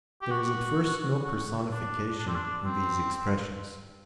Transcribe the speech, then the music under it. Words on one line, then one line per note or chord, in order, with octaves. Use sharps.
There is at first no personification in these expressions.
G4
F#4
F#4
D4
D4
C4
D4
C4